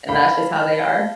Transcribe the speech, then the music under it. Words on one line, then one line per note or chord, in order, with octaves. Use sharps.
and that's just how they are.
F5 B5
A5
A5
F5